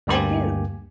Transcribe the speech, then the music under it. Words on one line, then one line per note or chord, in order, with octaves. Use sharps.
I do.
D2 G2 A#3 G4 G#5